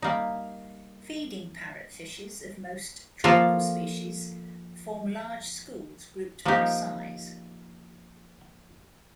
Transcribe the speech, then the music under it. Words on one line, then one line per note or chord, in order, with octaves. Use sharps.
Feeding parrotfishes of most tropical species form large schools grouped by size.
G3 A#3 D#4
F3 A#3 F4 A4
F3 A#3 D#4 G4